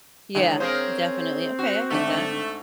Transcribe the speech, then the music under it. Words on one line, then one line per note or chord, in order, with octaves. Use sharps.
Yeah, definitely, okay, I get that.
D3 E3 F#3 G#3
C4 C#4 G#4 A#4 C5 F5 D#6
F#4
G#2 D3 A3 D4